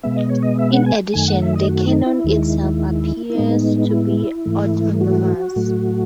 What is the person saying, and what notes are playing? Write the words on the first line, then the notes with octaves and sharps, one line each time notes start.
In addition, the cannon itself appears to be autonomous.
B2 G#3 B3 E5
D#5
C#5
D#5
E5
F#5
G#5
F#2 D#3 A3 G#5
F#5
E5
D#5
F#4
D#4
E4
D#2 D#3 G#3
E4
A2 G#3 B3 D#4
E4
G#2 E3 A3
F#4
A2 F#3 A3